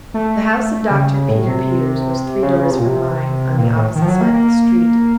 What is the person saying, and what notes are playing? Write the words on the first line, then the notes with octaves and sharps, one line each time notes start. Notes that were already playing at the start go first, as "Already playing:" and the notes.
The house of Dr. Peter Peters was three doors from mine, on the opposite side of the street.
A3
C#3
A2
C3
C#3
C#3
C3
A#2
C3
A#2
A2
D#3
F3
F#3
A#3
A#3